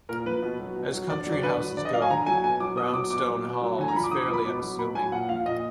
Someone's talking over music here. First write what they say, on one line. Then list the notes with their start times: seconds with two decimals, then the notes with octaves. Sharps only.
As country houses go, Braunstone hall is fairly unassuming.
0.09 A#2 A#4
0.26 F3 B4
0.42 B2
0.59 F#3
0.76 B2
0.93 F#3
1.10 D3 D5
1.27 F#3
1.32 D5
1.43 D3 B4
1.60 F#3
1.77 D3 D5
1.85 D#5
1.93 F#3 F5
2.02 G#5
2.10 D3 A#5
2.26 F#3 G#5
2.43 B2 G#5
2.60 F#3 D6
2.77 B2 D#6
2.94 F#3 D6
3.11 B2 D6
3.28 F#3
3.44 B2
3.61 F#3
3.78 D3 G#5
3.88 A#5
3.95 F3 B5
4.04 D6
4.11 D3 D#6
4.23 D6
4.28 F3
4.34 B5
4.45 B2 D6
4.62 F#3
4.79 B2 B5
4.95 F#3 G#5
5.12 A#2 F#5
5.29 F3 F5
5.46 A#2 D#5